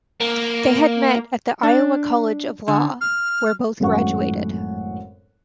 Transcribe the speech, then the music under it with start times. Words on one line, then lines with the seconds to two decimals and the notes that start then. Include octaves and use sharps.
They had met at the Iowa College of Law, where both graduated.
0.20 A#3
1.63 D4
2.68 D3
3.01 F6
3.80 G#1 F#2 A2 A4 F#5 C#6